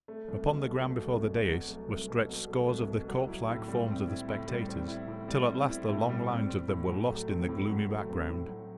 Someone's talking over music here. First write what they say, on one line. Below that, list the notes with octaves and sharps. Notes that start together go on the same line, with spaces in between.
Upon the ground before the dais were stretched scores of the corpselike forms of the spectators, till at last the long lines of them were lost in the gloomy background.
A3
C2
B2
F#3
A3
C2
B2
F#3
A3
C2
B2
F#3
A3
C2
B2
F#3
E4
A2
G3
C4
E4
A2
G3
C4
E4
A2
G3
C4
E4
A2
G3
C4
C4
A2
F#3
A3
C4
A2
F#3
A3
C4
A2
F#3